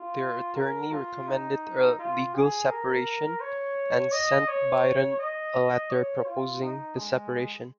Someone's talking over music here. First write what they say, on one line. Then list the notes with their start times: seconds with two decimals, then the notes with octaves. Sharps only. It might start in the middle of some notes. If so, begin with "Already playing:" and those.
Their attorney recommended a legal separation and sent Byron a letter proposing the separation.
Already playing: F4
0.56 A#4
0.91 F4
1.28 D#4
1.99 F4
2.34 G#4
2.70 A#4
3.40 C#5
4.12 D#5
4.48 C#5
5.19 D#5
5.90 C#5
6.26 F4
6.62 D#4
6.96 G#3